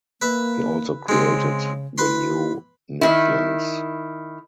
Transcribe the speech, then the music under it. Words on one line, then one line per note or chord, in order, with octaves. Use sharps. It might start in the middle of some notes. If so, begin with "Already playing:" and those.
He also created the New Nithlings.
A#3 B4 E5
C#3 G#3 C4
E4 B4 B5 C6
D#3 E4